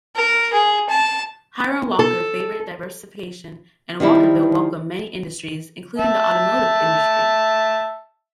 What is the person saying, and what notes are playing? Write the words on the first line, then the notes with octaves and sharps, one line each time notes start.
Hiram Walker favoured diversification and Walkerville welcomed many industries including the automotive industry.
A#4
G#4
A5
A4
D#3 F3 G3 E4
E5 A5